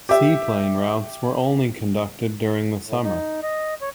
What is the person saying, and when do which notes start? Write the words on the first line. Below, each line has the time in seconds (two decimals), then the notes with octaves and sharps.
Seaplane routes were only conducted during the summer.
0.09 G4 E5
2.87 A2
3.04 D#4
3.43 D#5
3.81 C#5